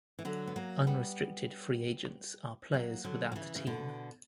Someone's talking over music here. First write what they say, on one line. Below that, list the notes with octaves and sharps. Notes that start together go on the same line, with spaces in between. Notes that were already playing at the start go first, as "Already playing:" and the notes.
Unrestricted free agents are players without a team.
E3
D3 F#3
B3
F#3 A#3
G3 B3
F#3 A#3
D3 F#3
F#3
C#3 E3
C#3
B2 D3